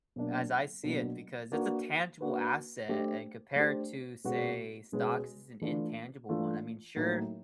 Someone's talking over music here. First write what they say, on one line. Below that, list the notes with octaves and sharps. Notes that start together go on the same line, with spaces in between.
as I see it, because it's a tangible asset and compared to, say, stocks is an intangible one, I mean, sure,
B2 F#3 A#3 D4
B2 F#3 A#3 D4
A#3 D4 F#4 B4
A#3 D4 F#4 B4
A3 D4 G4 C5
A3 D4 G4 C5
B2 G#3 C#4 F#4 B4
B2 G#3 C#4 F#4 B4
E3 A3 D4 F4
E3 A3 D4 F4
A2 F#3 A#3 D#4